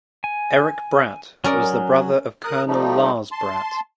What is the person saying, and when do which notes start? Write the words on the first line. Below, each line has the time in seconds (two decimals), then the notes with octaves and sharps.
Erik Bratt was the brother of Colonel Lars Bratt.
0.24 G#5
1.44 F#3 C#4 A#4 D5 G#5 D#6
2.44 A#4 D#6 F#6
2.68 F3 G3 A3 D#4
3.32 A5 C6